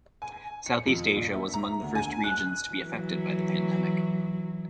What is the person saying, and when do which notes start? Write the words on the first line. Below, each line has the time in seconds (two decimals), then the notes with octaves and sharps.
Southeast Asia was among the first regions to be affected by the pandemic.
0.22 G#5
0.66 C#7
0.86 F2
1.16 A#1
1.34 E5
1.54 A#5
1.82 D2
1.95 G#5
2.24 F#6
2.70 E3 F#3